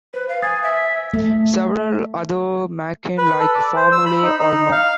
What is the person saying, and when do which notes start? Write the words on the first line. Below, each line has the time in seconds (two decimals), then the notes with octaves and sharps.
Several other Machin-like formulae are known.
0.14 B4 C5
0.29 F5
0.42 G#5 D#6 G#6 A6
0.63 E5
1.14 A3
3.18 B4
3.39 A4
3.55 D5
3.76 C5
3.92 E6
4.05 B5
4.22 D#4
4.39 D#4
4.72 F5